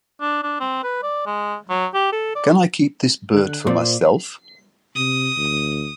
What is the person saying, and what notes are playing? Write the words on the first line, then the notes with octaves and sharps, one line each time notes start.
Can I keep this bird for myself?
D4
D4
C4
B4
D5
G#3
F#3
G4
A4
D5
D3 F#6
A#2 C5 D5
C3 D#6
D2